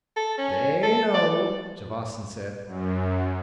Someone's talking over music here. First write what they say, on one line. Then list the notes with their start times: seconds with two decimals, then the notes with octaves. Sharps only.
"They know," Javasan said.
0.16 A4
0.38 C#4
0.83 A4
1.14 D5
2.66 F#2